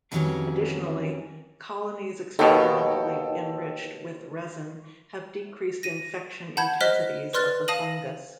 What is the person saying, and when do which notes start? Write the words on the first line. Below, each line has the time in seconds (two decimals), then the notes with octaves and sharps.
Additionally, colonies experimentally enriched with resin have decreased infection intensities of the fungus.
0.12 F2 D#3 E3 F#3 G3 C#4
2.39 D#2 B2 D#4 A4 A#4 C#5 G5
5.83 A#6 D#7
6.57 F#5 A5 B5 G6 G#6
6.81 C5 D#5 F6 F#6 B6 G7
7.33 B4 D5 C6 F6 F#6 A6
7.68 F5 A5 D#6 A#6 D#7 F#7